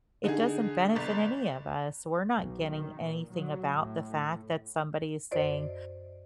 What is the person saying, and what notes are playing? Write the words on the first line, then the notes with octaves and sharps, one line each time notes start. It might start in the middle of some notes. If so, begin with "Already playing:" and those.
it doesn't benefit any of us. We're not getting anything about the fact that somebody is saying
D3 D#4 G#4
G1 A6
B1
D#3
A#2
F#3
A2
F#2 C5 D5 D#5